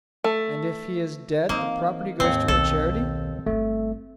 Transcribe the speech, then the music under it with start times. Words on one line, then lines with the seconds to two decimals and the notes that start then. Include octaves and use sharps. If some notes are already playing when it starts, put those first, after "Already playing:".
"And if he is dead the property goes to a charity."
0.24 A3
1.49 E3 A#3 C4 D#4
2.20 D#2 G#2 C4 C#5 G#5
2.48 B1 D#3 A4
3.46 G1 G2 A3